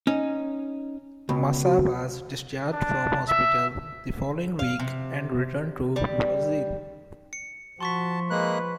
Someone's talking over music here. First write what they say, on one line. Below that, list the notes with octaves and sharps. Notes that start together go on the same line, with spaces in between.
Massa was discharged from hospital the following week and returned to Brazil.
C#4 D#4
C#2 B2
F#4
D4
E5
F5
C3
G3
C#7
F3 F#4 A5 C6 C#6 B6
G#3 A#3 B4 F#6